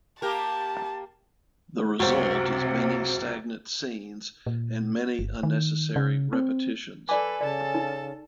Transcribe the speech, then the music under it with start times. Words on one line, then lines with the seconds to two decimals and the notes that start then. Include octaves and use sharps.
The result is many stagnant scenes and many unnecessary repetitions.
0.22 A#3 G4 A#4 A5
2.00 C#2 F#2 C3 F#4 C5
4.47 A#2
5.19 G1
5.43 D#3
5.96 C#3
6.33 C4
7.09 A4 B4 D5 G#5 D6
7.41 C#3 A4 D5 A5
7.75 D#4